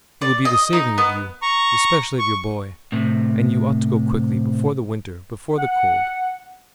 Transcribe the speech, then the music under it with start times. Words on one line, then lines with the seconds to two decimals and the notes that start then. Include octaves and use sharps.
It would be the saving of you, especially of your boy--and you ought to go quickly, before the winter, before the cold.
0.22 D5
0.45 D#5
0.73 D#4
0.98 B3
1.42 A#5 C#6
2.19 C#6
2.92 A2 C3
5.58 F#5